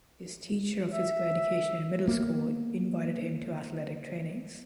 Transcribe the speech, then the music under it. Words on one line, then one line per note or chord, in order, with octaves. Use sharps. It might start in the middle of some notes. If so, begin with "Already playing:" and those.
His teacher of physical education in middle school invited him to athletic trainings.
E5
A#3 B3